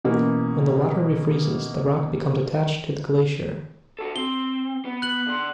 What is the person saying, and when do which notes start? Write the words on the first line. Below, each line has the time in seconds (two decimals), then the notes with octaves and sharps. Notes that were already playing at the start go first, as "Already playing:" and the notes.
When the water refreezes, the rock becomes attached to the glacier.
0.05 B2 E3 A#3 C#4
3.99 F#4 A4
4.16 C4 G7
4.85 B3
5.02 F#6 F#7
5.27 D3 C6